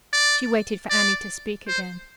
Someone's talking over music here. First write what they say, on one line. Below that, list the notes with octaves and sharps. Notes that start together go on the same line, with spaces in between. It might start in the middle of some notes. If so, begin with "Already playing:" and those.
She waited for Annie to speak again.
D5
D5
C5